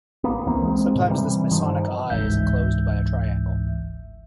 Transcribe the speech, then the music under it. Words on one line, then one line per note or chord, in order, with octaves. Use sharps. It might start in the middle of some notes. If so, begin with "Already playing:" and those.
Sometimes this Masonic Eye is enclosed by a triangle.
A1 F#3 A#3 B3
C#2 E3 A#3 C4
G#3 C4
G#2 B2 D#3
C3 E3 G3
G2 C3 D#3 F3
G1 C#2 G#2 E3 E5 G6